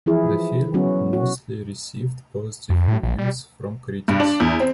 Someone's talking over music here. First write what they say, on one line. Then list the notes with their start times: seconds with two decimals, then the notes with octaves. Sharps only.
The film mostly received positive reviews from critics.
0.06 E3 F3 E4 G#4
0.74 F#3 B3 C#4 F#4
1.13 F#4
2.70 F2
2.88 A2
3.03 A#1
3.18 G3
4.08 G2
4.20 D4
4.40 E2
4.60 C4